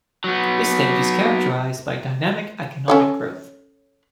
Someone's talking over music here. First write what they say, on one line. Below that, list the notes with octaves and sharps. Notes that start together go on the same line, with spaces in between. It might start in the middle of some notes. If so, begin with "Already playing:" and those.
This stage is characterized by dynamic economic growth.
F#3 B3
C#4 A4 C#5